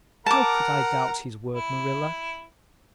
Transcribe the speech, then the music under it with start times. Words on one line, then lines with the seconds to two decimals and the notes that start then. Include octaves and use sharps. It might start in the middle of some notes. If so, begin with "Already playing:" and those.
How could I doubt his word, Marilla?
0.26 A#4 F#5 A5 A#5 D6
1.53 E4